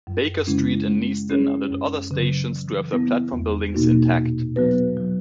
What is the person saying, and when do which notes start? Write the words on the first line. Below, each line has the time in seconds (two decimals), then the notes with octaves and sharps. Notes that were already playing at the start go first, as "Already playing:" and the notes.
Baker Street and Neasden are the other stations to have their platform buildings intact.
0.07 F#2
0.47 C#3 G#3 C#4 E4
0.88 G#3
1.30 C#4 E4 G#4 C#5
1.70 F#2
2.11 C#3 F#3
2.51 E3
2.93 B3 E4
3.33 E2
3.74 B2 A#3 D#4 F#4
4.15 A#2
4.56 F#3 B3 F#4 B4
4.97 F#3